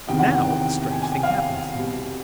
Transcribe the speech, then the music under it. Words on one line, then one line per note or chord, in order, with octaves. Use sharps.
Now a strange thing happens.
E2 C3 D#3 G5
F#5
G5
G5
G5
G#5
G#5
G5
F5
G5
C2 B2